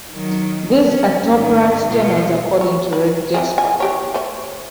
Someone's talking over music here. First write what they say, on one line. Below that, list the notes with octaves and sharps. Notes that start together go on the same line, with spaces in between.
These are top ranked journals according to Red Jasper.
D#3 F#3
C#4
G#2 D#3
B2 F4
C#5
B4
E3 C4 G#4
G#5
E3 G4 C#5
A3 C5 C#5